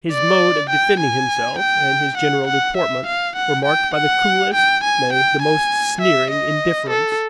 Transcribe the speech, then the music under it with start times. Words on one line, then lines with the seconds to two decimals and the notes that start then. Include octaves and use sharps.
His mode of defending himself, and his general deportment, were marked by the coolest, nay, the most sneering indifference.
0.11 D5
0.70 G5
1.00 G#5
1.59 G5
2.18 F#5
2.48 F#5
2.77 E5
3.07 F5
3.36 F#5
3.66 G5
3.95 F#5
4.54 G5
4.84 G#5
5.13 G5
5.42 G#5
6.02 E5
6.31 D#5
6.90 A4